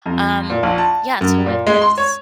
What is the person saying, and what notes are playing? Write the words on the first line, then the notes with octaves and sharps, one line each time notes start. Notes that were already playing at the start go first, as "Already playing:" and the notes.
Um, yeah, so if it's
F2
A#2
A#1
A5
F#2
A#2
G#3
C6
C#5